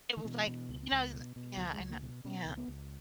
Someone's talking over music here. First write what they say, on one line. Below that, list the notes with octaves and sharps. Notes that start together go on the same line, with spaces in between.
it was, like, you know Yeah I kno Yeah.
D#3
B2 E3
B2
C#2
C#2
B2
B2
C#2 F#3
G#3
C#2
A#3
B2
B2 C#4
C#2
B3
C#2